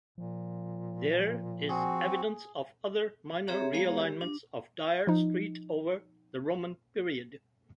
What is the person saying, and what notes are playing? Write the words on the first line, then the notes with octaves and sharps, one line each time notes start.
There is evidence of other minor realignments of Dere Street over the Roman period.
A#2 F3
C4 F#4 G#4
C4 G4 G#4 C#5 E5 A#5
G#3 B3 G#4 C#5 F5 A#5
G4
D4
F3 D#4